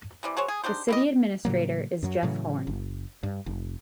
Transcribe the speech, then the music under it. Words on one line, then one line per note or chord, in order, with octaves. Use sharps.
The City Administrator is Jeff Horne.
C3 E3 D5
F#3 G#4 C5 C#5
G#4
D4 D#4 G4 C5
E4 G4 D#5
A2 C#3 F#3 A#3
F#2 F#3
A2 C#3 E3 F#3
F#1
G2
F1